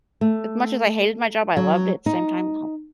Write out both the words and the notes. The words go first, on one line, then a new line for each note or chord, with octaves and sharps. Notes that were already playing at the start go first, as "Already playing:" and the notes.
as much as I hated my job, I loved it same time, now.
A3
F#3
D#4